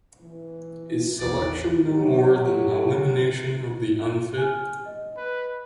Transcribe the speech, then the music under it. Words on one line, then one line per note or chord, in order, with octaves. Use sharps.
Is selection no more than the elimination of the unfit?
E3
A1 E2 D5
F#3 G4
G#5 F6
D#5
B4